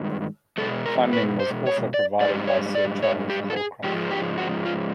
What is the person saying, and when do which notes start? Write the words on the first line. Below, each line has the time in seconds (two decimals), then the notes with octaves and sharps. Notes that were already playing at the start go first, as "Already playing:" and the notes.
Funding was also provided by Sir Charles Holcroft.
Already playing: G2 D#3 G#3
0.58 B2 G#3 A4
0.86 A#4
1.13 B4
1.40 C5
1.67 C#5
1.94 D5
2.21 G#2 E3 G3 D5
2.48 C#5
2.75 D5
3.03 C#5
3.30 G4
3.50 A4
3.57 G#4
3.84 G#2 F3 G#3 G4
4.11 G4
4.38 F#4
4.65 F4